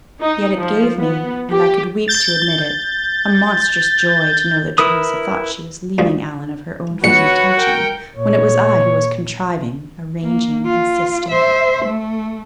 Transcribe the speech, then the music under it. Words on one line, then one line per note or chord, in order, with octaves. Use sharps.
Yet it gave me, and I could weep to admit it, a monstrous joy to know that Theresa thought she was leaving Allan of her own free intention, when it was I who was contriving, arranging, insisting....
D#4
F3
B3
G4
G6 A6
E4 A#4 B4 D#6
D2 F3
A#1 F#4 B4 C#5 C#7
A#4 G5
A#2 C#5
A#3
F4
C5 E5
A3